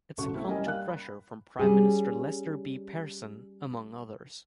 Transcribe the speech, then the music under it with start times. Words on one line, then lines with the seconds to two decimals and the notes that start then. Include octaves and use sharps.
It succumbed to pressure from Prime Minister Lester B. Pearson, among others.
0.18 E1 A1 C#3 F#4 A4 C#6
0.34 A3 C4 E4
0.47 G3 C#4 A#4 D#5 G#5
0.64 G3 A#3 F5 F#6
0.89 B5
1.59 G3 C#4 G#4